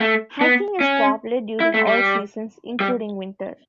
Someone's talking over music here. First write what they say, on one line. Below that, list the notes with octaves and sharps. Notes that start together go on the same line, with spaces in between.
Hiking is popular during all seasons, including winter.
A3
B3
C#4
E4
A3
G3
G3